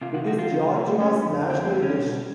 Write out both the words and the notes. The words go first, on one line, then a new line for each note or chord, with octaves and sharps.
It is Georgia's national dish.
C3 F4
F#4
F3 F#4
F4
C3
A3
D3 C#4
F2
F2 C4
C4
G3
C#4
B2